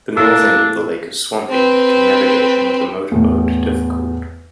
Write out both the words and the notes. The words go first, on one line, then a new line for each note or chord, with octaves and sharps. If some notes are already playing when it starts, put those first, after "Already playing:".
The north end of the lake is swampy, making navigation with a motorboat difficult.
A2 A#3 D4 E4 E6
C4 B4
E2 A2